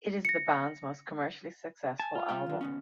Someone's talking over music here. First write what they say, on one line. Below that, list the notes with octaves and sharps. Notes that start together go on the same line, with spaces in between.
It is the band's most commercially successful album.
A#6 C#7
G#5 A5
F4 F5
C3 G3 G5
D3 D#3
D2 B3 C#4